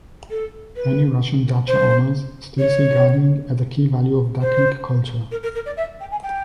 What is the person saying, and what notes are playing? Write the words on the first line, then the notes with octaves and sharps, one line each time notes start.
Many Russian dacha owners still see gardening as a key value of "dachnik" culture.
A4
B4
C5
C#5
C5
A#4
A#4
A#4
D5
E5
G5
G#5
G5